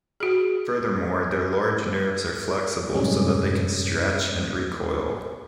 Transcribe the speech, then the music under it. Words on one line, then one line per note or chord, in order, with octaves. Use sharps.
Furthermore, their large nerves are flexible so that they can stretch and recoil.
F#4 G#4
F#2 A2 C3 G3 G#3 C#4